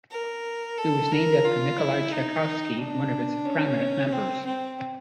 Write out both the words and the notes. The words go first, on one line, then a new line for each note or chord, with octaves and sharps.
It was named after Nikolai Tchaikovsky, one of its prominent members.
A#4
A4
A#4
F4
E4
D#4
D4
C#4
C4
C4